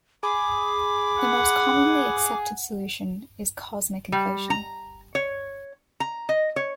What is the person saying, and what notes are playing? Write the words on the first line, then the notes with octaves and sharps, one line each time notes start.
The most commonly accepted solution is cosmic inflation.
G#4 B5 D6
F#5
G3
A#5
C#5
A#5
D#5
C#5